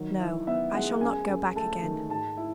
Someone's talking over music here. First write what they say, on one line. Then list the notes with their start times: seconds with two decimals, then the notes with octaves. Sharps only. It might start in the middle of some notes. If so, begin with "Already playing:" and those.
"No; I shall not go back again."
Already playing: D#3 F#3
0.20 E4
0.47 B3 E5
0.75 G#3 F#5
1.01 F#2 G#5
1.29 F#2
1.56 A3 A5
1.83 D#3
2.10 G#2 A5
2.37 E4